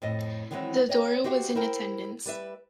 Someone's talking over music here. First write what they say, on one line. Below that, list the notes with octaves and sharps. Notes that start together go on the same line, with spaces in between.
Zadora was in attendance.
F2 A2 D#5
D#3 E3 F#3 G#3 C4 E4
C#5 D#5 G5
F#4 G4 C5 E5 G5
E4 A#4 C5 G5
G3 B4 E5